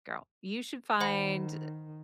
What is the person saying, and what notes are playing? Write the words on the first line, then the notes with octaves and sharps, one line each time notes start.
girl, you should find,
D#3 C5 F#5 B5